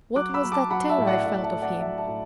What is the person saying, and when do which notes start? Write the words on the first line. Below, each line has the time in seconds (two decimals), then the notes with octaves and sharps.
What was that terror I felt of him?
0.16 F#3 D6 F#6
0.34 B5 E6
0.44 F#3
0.52 A5 D6
0.70 F#3 F#5 B5
0.88 E5 A5
0.98 A2
1.07 D5 F#5
1.26 A2 E5
1.43 E5 A5
1.53 A2
1.62 D5 F#5
1.80 F#3 E5 A5
1.98 E5 A5
2.08 A2